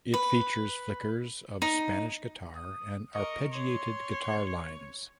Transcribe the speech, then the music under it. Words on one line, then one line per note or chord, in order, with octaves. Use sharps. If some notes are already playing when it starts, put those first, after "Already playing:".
It features flickers of Spanish guitar and arpeggiated guitar lines.
B4
D#4
D#6
A#4 D#5 C#6
C#5 C6